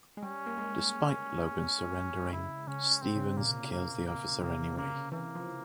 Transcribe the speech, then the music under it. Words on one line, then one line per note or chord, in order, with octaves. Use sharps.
Despite Logan surrendering, Stevens kills the officer anyway.
G#3
G3 C#4
A#3
G#3
C#3 E4
C#3 C#4
C3 C4
C#3
C3
A#2 A#3
A#3
A#3
C3 A#3
C#3 A#3
E3 A#3
F3